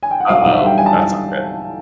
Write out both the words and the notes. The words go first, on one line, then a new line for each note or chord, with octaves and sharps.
Uh-oh, that's not good.
G#5
G5
F#5
B1 F5
B1 F#5
E5
G3 G5
G3 G#5
A5